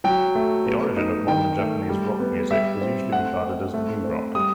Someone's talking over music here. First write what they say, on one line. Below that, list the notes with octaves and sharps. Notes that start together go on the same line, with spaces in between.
The origin of modern Japanese rock music was usually regarded as new rock.
F#3 G5
A3
B3
D#4
D#3 G5
A3
G3
B3
G3 E5
C4
A3 F#5
C4
A3
C4
G3 D#6